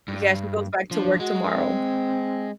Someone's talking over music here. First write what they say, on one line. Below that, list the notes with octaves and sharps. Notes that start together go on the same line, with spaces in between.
Yeah, she goes back to work tomorrow.
G2
F3 D4
G#3 F#4
C4